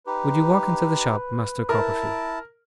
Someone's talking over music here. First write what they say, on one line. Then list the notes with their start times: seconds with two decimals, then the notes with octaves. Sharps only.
Would you walk into the shop, Master Copperfield?'
0.07 D#4 G4 B4
1.69 E4 A#4 A5